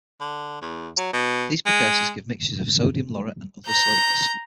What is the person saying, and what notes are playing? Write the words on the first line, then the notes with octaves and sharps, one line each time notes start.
These precursors give mixtures of sodium laurate and other soaps.
D3
E2
F#3
B2
G#3
A#5 G6